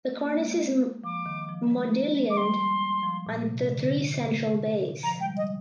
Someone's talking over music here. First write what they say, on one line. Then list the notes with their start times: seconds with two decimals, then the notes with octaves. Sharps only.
The Cornice is modillioned on the three central bays.
0.15 A#3
0.27 A#3
0.38 G#3
1.04 F3 D6
1.26 D#3
1.49 F3
1.71 G#3
1.93 A#3
2.15 G#3
2.30 D6
2.37 G3 C6
3.03 F3
3.27 A#2
3.48 C3
3.71 D3
5.03 F3 A#5
5.19 G#3 G5
5.26 G3
5.37 D#5